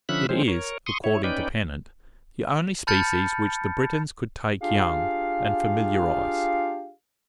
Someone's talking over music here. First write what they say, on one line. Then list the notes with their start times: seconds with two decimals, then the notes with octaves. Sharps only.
It is, according to Pennant, the only species which the Britons could take young, and familiarize.
0.09 D3 F3 C#4 E5 B5 F#6
0.29 D#3 F3 G#3 C4 C#4 C5
0.48 A#4 C#5
0.86 C6 C#6 D#6
1.04 E4 C#5
1.24 C#4 D#4 B4 D5 G5
2.87 A5 B5 F6 G6 A6 C#7
4.62 D4 F4 G4 G#4 F5